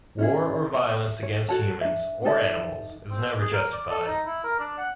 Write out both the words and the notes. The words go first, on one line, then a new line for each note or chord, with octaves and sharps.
War or violence against humans or animals is never justified.
C#4 E4 G#4
E5
C#5
F#4 A4 C#5 A5
D4 E5
D#4 A4 D5 E5
C4
G#4
A#4
D5
A4
D#4
E4
A#4
D4
F#5